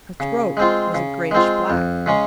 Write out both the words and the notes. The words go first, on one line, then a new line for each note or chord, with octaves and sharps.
Her throat was a grayish-black.
C#3
G#3 C4 F4
C#3
G#3 C4 F4
F2
C#3 G#3 C#4